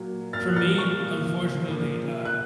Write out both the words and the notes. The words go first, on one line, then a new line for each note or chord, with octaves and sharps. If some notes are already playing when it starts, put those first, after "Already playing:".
For me, unfortunately, uh,
Already playing: A#2 F#3
A#2 F#3 F6 A6
F#6
F6 A6
C#6 F6
A#2 F3
A#2 F3
F#6